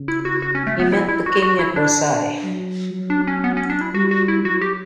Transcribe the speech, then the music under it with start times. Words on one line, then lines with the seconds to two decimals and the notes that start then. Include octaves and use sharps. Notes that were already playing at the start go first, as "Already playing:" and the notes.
He met the King at Versailles.
Already playing: C#3
0.08 E4
0.25 F#4
0.42 F#4
0.55 C#4
0.67 A3
0.79 B3
0.92 E4
1.08 E4
1.26 F#4
1.42 F#4
1.59 E4
1.76 D4
2.44 F#3
2.94 F#3
3.10 D4
3.27 C#4
3.44 B3
3.57 C#4
3.70 D4
3.81 E4
3.94 G3 F#4
4.11 F#4
4.28 E4
4.45 F#3 F#4
4.61 G4